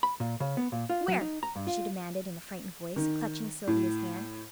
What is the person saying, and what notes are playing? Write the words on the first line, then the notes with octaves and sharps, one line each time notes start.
"Where?" she demanded, in a frightened voice, clutching Sylvia's hand.
B5
A#2
C#3
B3
A#2
F4
F#3
D#4
A#5
G2
F4
D#3
A2